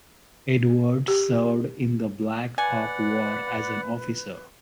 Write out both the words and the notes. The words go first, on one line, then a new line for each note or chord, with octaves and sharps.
Edwards served in the Black Hawk War as an officer.
G4
B4 D5 F#5 G#5